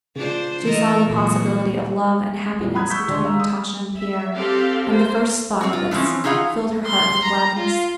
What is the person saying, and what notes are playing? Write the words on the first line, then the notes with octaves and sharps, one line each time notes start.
She saw the possibility of love and happiness between Natasha and Pierre, and the first thought of this filled her heart with gladness.
C#3 D4 F4 C5
E3 A4 A#4 D#5
A#2 F#3 F#4
F2 A#2 E3
F#5 A#5 B5 D#6 F#6 G#6
C#6 E6 G6 B6
D#2 D4 C6 C#6
F5 A#5 E6
G#3 D#6
E5
C4 G4 A4 F5
A#3 C5
C4 F#4
F4
E3 F3 A#3 C4 C#4
E3 D#4 F4 G#4 F5 F#5
C6
A#5
F4